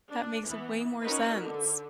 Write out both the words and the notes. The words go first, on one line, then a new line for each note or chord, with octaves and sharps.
that makes way more sense.
D4
E3 B3
C#4 D#4 F#4 A#4 B4
D3